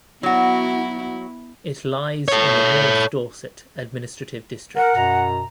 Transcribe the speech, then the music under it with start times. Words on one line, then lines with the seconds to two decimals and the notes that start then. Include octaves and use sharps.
It lies in the North Dorset administrative district.
0.23 F#3 B3 E4 F#4
2.28 A4 C#5
4.76 A#4 F#5
4.95 F#2 B2 A#5